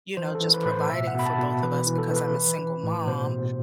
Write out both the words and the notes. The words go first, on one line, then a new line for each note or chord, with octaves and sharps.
you know, just providing for both of us because I'm a single mom,
E3 C5
A4
E3
B4
A2 B4
C5
B2 E5
F#5
B2
B5
A5
B2
E3 B4
E3
A4
E3
B4
E3
E3
A2
B2 C5
B2